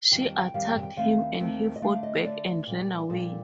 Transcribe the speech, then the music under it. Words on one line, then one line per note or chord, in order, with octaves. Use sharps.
She attacked him and he fought back and ran away.
F2 D#3 G3 G5
A5
F5
G5
F2 D#3 G3 F5
G5
G5
D#2 D#3 A3 C4 F5
D#2 D#3 A3 C4
D#5
D3 A3 D4 F5
D#5
D3 A3 D4 D5
A#2 G3 D4
A#2 G3 D4 A4